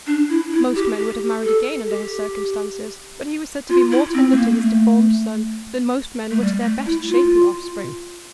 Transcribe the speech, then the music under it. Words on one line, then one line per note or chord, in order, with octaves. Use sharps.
Most men would have married again under his circumstances, but he was said to be more tender to his deformed son than most men were to their best-shapen offspring.
D4
E4
E4
G4
G4
A4
G4
F4
E4
C4
A3
A#3
A3
A3
G3
A3
E4
F4